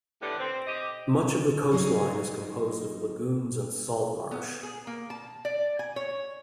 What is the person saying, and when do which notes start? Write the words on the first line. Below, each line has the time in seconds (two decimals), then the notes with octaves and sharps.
Much of the coastline is composed of lagoons and salt marsh.
0.22 A2 D3 B3 G4
0.39 C4
0.67 G4 D#5
1.72 F#3 G3 D#4 G#4
4.31 B3
4.63 G#4
4.87 A#3
5.10 A5
5.45 D5
5.79 G#5
5.96 C#5